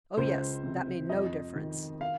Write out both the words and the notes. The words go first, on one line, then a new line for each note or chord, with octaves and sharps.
"Oh, yes; that made no difference."
C#2 C5
C3
F2 D#5
D#3
F5